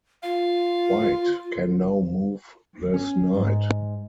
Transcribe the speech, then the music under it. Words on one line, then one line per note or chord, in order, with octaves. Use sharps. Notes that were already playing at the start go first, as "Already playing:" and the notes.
White can now move this knight.
F4 F5
C#4
G#2